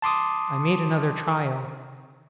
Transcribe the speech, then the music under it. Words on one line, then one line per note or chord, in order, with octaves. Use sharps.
I made another trial.
A5 C6 D6 D#6